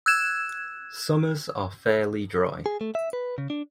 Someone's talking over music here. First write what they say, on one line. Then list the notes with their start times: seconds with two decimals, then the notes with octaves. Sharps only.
Summers are fairly dry.
0.06 E6 F#6 G#6 E7
2.66 G#4
2.81 A3
2.95 E5
3.13 B4
3.38 C#3
3.50 D4